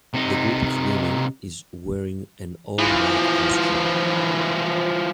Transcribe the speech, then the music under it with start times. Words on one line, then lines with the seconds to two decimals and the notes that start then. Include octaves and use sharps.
The group of women is wearing an all white costume.
0.14 C3 D#4
2.79 E3 F3